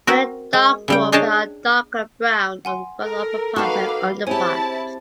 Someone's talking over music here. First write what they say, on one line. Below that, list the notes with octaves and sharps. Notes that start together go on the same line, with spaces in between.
Rare dark morphs are a darker brown on both upperparts and underparts.
C4 F#4 A#4
G#3
C#3 G3 G5
D4 G#4 C#5 D#5 G5 A5
F#5 G#5 C6
A4 A#4
A#3 D#4 F#4 B4 F5 F#5 A5 C#6
D6
C4 E4 G4 G#4 C5 C#5 G#5 A5